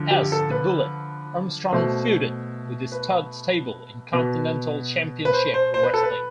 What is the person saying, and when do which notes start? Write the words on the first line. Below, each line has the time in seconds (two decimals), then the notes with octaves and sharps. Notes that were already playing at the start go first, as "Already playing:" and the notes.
As "The Bullet", Armstrong feuded with the Stud Stable in Continental Championship Wrestling.
Already playing: D3 F3
0.11 G4
0.32 A4
0.51 B4
1.73 B2 A3 C5
2.92 B4
4.13 B2 B3
5.25 B4
5.33 C5
5.54 C5
5.74 C5
5.83 B4
5.94 A4
6.03 B4